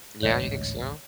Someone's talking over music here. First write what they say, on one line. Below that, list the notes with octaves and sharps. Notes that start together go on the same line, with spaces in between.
Yeah, you think so?
A1 D2 G#2 C#5 D#5